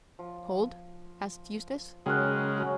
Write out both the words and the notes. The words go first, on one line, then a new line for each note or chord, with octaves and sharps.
"Cold?" asked Eustace.
F3
C#3 F#3 G#3 A#4 G5 C#6 F6 F#6
F#3 C#4